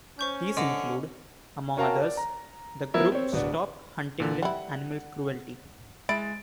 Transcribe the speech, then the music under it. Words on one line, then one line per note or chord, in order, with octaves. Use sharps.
These include, among others, the group Stop Huntingdon Animal Cruelty.
C#4 C5 C#6 G6
D3 D#5
C#4 F#4 A#4 F5 G5 A5
D5
A#5
F3 B3 E4 A#4
C4 C#5
D1 B2 B3 D4
A#2 D3
G3 E4 F#5
G#3 E4 A6 D7